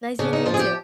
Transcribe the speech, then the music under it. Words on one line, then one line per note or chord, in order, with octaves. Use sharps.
Nice meeting you too.
C#3 D4
D#4
F3 F4
G#4
G4